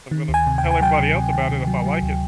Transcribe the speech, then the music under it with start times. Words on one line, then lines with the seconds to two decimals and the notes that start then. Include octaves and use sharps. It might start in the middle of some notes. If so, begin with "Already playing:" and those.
I'm gonna tell everybody else about it if I like it."
0.11 D#3
0.29 D2
0.34 G#5
0.47 C3
0.58 G5
0.64 D2
0.71 G#5
0.81 F#3 G5
0.98 C3
1.16 C3
1.33 D#3
1.50 C3
1.67 F#3
1.85 F#3
2.02 D2